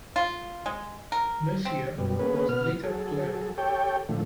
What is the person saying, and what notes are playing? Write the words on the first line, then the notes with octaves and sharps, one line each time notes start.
Mercier was later cleared.
F4
G#3
A#4
C4
F#2 B2 G3
A#3 B3 C#4 G#4 B4
B2 B3 F6
F#3 G#4 A4
G4 A4 C#5 G5
A2 D3 F3 A3